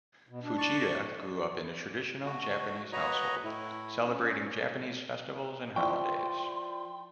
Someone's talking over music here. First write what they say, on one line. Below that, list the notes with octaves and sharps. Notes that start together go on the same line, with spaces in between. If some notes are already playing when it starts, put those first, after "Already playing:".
Fujita grew up in a traditional Japanese household, celebrating Japanese festivals and holidays.
B2
D4
D5 C#6
A3 F#4
F#4 B4 C#5 D#5 A#5
A2 A3 E4
C#4
F3 E4 D5 G5 C6 C#6